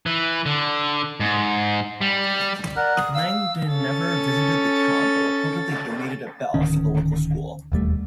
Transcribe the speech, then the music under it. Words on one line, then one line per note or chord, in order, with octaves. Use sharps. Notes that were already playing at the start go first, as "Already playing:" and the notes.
Langdon never visited the town, but reportedly donated a bell for the local school.
E3
D3
G#2
G3
A#4 D5 F#5
D#6
F5 E6
C#4 A4 A6
D1 D3 D#3 C#4
E1 D#2 G3 A3